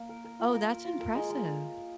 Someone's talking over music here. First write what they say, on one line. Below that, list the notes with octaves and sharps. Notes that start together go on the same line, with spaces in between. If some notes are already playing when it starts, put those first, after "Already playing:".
Oh, that's impressive.
Already playing: A#3
A#4
A#4
F4
A#4
A#4
F4
A#4
G#3
G#3